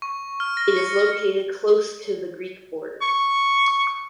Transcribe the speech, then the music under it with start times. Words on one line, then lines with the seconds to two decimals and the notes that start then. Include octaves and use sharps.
It is located close to the Greek border.
0.02 C#6
0.40 F6
0.57 A#6
0.77 C#7
3.02 C#6